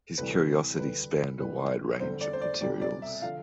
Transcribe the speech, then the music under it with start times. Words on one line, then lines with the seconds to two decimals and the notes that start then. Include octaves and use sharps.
His curiosity spanned a wide range of materials.
0.18 D2 C3 E3 G3 B4
0.78 D2 D3 G3 B4
1.40 B1 A2 E3 G3 B4
2.00 E2 D3 G3 C5
2.21 D5
2.33 C5
2.41 D5
2.61 C2 B2 G3 D5
2.81 D5
3.02 E5
3.22 D3 F3 F5